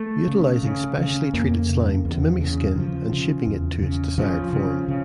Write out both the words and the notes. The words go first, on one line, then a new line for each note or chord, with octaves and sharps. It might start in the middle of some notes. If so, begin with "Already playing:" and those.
Utilizing specially treated slime to mimic skin and shaping it to its desired form.
Already playing: A3
C#3
C#3
C#3
F2 A#3
C#3
E2
C#3
C#3 F3
C#3
E2
C#3
C#3 F3
C#3
C#3